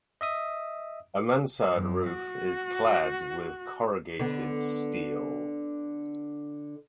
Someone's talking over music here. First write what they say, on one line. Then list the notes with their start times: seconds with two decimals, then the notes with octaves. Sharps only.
A mansard roof is clad with corrugated steel.
0.21 D#5 E5 D#6
1.74 F#2
2.15 F#4
4.20 D3 B3